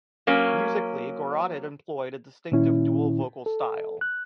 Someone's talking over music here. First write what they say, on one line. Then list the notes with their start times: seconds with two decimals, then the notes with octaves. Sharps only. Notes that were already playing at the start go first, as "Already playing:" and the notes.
Musically, Gorerotted employed a distinctive dual vocal style.
0.27 F#3 A#3 C#4
2.52 A#2 D#3 C#4 E4
3.46 A4
4.01 F#6